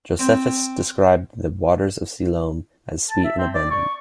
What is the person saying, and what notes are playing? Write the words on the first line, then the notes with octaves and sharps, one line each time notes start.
Josephus described the waters of Siloam as sweet and abundant.
C4
A5
E5
C4
D5
C#6